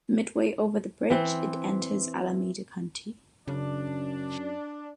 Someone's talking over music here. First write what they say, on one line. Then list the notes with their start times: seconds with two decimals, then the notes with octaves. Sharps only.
Midway over the bridge, it enters Alameda County.
1.10 E3 C4
3.48 F#2 C#3 D4